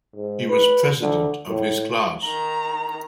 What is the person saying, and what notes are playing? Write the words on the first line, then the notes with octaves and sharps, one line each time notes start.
He was president of his class.
G#2
B4
D3
A2
D#3 A#5